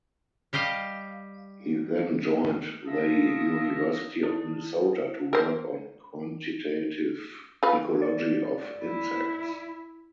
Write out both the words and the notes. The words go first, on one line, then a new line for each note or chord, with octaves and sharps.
He then joined the University of Minnesota to work on quantitative ecology of insects.
G3 G4 D#5 F5
F4 A#4 E5 A5 A#5 D#6
E4
A#4 C5
F4 B4
D5
E4